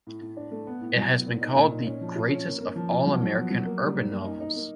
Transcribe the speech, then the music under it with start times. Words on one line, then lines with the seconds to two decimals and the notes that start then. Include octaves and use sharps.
It has been called the "greatest of all American urban novels".
0.07 A2
0.21 A2
0.37 D4
0.51 A3
0.67 B3
0.81 A2
0.96 F#3
1.11 B3
1.26 A#2
1.41 D#4
1.56 A#2
1.71 D#4
1.86 C#4
2.01 F3
2.16 F4
2.31 C#4
2.46 A#3
2.61 A#3
2.76 F3
2.91 F3
3.06 F#3
3.21 F#3
3.35 B3
3.50 F#3
3.65 A#3
3.81 G3
3.95 G3
4.10 A#3
4.25 D#4
4.40 D#4
4.56 A#3